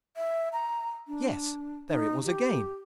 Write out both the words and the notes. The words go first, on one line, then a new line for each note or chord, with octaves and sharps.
Yes, there it was again!
E5
A#5
D4
D#4
G4